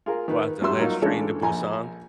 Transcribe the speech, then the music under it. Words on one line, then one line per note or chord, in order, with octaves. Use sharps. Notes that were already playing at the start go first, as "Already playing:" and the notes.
What, the last Train to Busan?
F4 G#4 A#4
D#3 B4
F#2 F#3 G3 E5 C6 E6
F#3 A#3 D#4 F4
C#3 E3 G#3 D4 A4 C#5
A#1 G#5 A#5